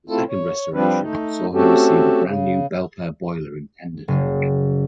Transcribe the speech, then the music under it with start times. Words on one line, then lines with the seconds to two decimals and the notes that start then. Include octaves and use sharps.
The second restoration saw her receive a brand new Belpaire Boiler and tender tank.
0.10 A3 C4 E4 F4 A4
0.29 C#5
0.74 F3 G3 C4 D4 B4
1.01 A3 D#4
1.54 A3 C4 C#4 F#4 G4 A4
2.23 C#3
4.08 F#1